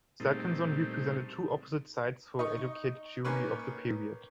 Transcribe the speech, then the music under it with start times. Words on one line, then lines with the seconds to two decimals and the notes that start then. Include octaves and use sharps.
Salkinsohn represented two opposite sides for educated Jewry of the period.
0.20 A#2 G3 A3 C4 D#4
2.39 D#4 C#6
3.25 D#3 A#3 C#4 B4